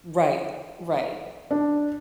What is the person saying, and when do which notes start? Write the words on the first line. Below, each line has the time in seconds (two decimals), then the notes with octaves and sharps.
Right, right,
1.51 D4